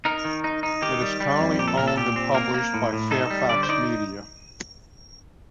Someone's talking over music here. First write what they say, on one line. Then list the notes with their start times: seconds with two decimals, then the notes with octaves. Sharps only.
It is currently owned and published by Fairfax Media.
0.05 D#4 A#4
0.25 D#3
0.44 D#4
0.63 D#4
0.82 D#3 G4
1.02 G3
1.20 G3
1.40 F2
1.59 A#2 G4
1.68 A4
1.77 A#2 A#4
1.88 A4
1.97 A#2 G4
2.16 C4
2.34 A#3 A#4
2.54 A#3
2.74 A2
2.93 A2
3.11 D#4 A4
3.30 G3
3.49 D3 D5
3.63 C5
3.69 D#4 D5